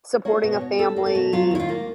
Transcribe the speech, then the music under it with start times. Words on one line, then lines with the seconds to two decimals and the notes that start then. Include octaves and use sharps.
supporting a family,
0.25 A#3 C#5
0.43 B2
0.53 C#5
0.61 B2
0.78 G3 A4
0.96 A#3
1.06 A4
1.15 B2
1.32 F#3 F4
1.51 D#2 E4
1.60 F4
1.69 A#3